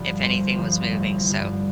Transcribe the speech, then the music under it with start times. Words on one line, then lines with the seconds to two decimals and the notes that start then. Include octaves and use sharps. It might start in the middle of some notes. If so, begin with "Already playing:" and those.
if anything was moving, so,
Already playing: G2 D3 F3 A4
0.22 A1 C5
0.56 G2 D3 F3
0.91 A1
1.26 G2 D3 F3